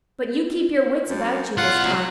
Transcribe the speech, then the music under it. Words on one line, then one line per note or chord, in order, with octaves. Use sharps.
But you keep your wits about you this time.
F#2
C2 F4 F#5
F#3